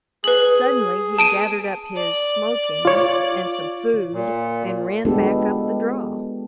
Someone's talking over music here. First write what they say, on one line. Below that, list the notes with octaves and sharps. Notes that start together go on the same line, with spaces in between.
Suddenly he gathered up his "smoking" and some food and ran back up the draw.
G#4 B4 F#7
A5 D7 D#7
D5
F4 C#5
A#2
G#3 B3 D4 F4 G4 A4